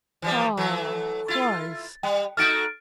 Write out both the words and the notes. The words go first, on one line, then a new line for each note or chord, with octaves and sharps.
Ah, Christ!
E3 F3 G3
E3 F#3 A3
E4 F4 A6
G3 G5
A3 D#4 F#4 F6 A6 D7